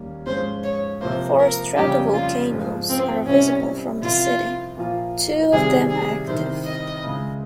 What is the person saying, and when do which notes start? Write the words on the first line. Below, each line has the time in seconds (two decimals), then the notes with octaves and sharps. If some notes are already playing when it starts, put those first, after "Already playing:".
Four stratovolcanoes are visible from the city, two of them active.
Already playing: D#2 D#3 G3 A#3 C#4
0.26 G#2 F3 G#3 C#4 F4 C5
0.64 C#5
1.01 C3 F3 A#3 C5
1.39 A#4
1.76 F2 C#3 G3 A#3 C#4 G4
2.14 F4
2.52 G#2 F3 G#3
2.89 C4
3.27 C2 C3 G3 C4 C#4
4.02 C2 C3 F3 C4 F4
4.77 A#2 F3 A#3 F4
5.53 C3 D#3 G3 C4 G#4
5.89 G#4
6.27 C2 C3 D#3 C5
6.65 D#5
7.03 C#2 C#3 G#3